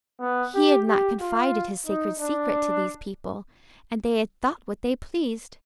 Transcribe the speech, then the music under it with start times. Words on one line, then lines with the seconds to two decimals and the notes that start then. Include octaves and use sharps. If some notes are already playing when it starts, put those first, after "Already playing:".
He had not confided his sacred secret to these people, and they had thought what they pleased.
0.20 B3
0.54 G4
0.86 G4
1.20 F4
1.86 D#4
2.19 D4